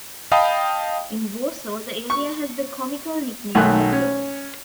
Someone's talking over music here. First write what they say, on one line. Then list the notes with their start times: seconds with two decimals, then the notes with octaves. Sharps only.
In Warsaw the area has the comical nickname Mordor.
0.32 D#5 F5 G5 A5 B5 D#6
2.10 C#6
3.55 B1 D#3 F#3 A3 G#5 F#6
3.92 C#4